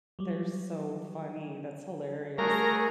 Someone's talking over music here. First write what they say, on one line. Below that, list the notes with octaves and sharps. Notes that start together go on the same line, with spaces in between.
They're so funny. That's hilarious.
F#3 G3
G3 A3 F#4 G#4 A#4